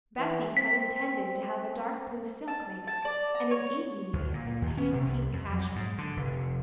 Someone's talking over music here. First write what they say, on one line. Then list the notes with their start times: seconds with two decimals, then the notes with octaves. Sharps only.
Bessy had intended to have a dark-blue silk made up and an evening waist of pale pink cashmere.
0.18 E3
0.57 C4 B6
2.48 A5
2.87 A5
3.05 D5
3.35 A#5
3.51 C#5
4.13 D2
4.34 A#2
4.62 D#2
4.77 C#4
4.92 C3
5.07 C2
5.33 F2
5.50 F#3
5.76 G#2
5.98 D3
6.17 F1